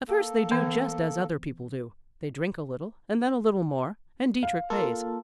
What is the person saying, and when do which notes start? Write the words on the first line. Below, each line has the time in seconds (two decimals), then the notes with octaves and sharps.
At first they do just as other people do, they drink a little and then a little more, and Dietrich pays.
0.08 A#3 A4
0.51 E3 B3
4.43 F5
4.70 A#3 F4 A4